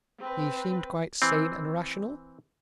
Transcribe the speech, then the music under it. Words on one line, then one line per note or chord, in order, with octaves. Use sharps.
"He seemed quite sane and rational?"
C4 B4
E3 C4